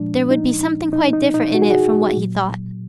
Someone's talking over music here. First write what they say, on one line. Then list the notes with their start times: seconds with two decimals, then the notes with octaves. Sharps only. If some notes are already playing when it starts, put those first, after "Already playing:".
There would be something quite different in it from what he thought.
Already playing: A#2 F3 G#3 D4
0.31 D#4
0.93 D#4
1.13 D#4
1.34 D#4
1.54 F#4
1.62 G#4
1.70 F#4
2.16 A#2 F#3